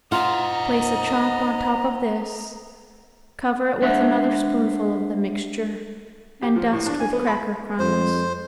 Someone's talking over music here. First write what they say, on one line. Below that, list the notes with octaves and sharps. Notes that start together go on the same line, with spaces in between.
Place a chop on top of this, cover it with another spoonful of the mixture and dust with cracker crumbs.
F4 C5 D#5 F#5 A#5
G#3 D4 C5 E5 F#5
G4
F3
A2
D4
G#5
B3
B5
F2 C5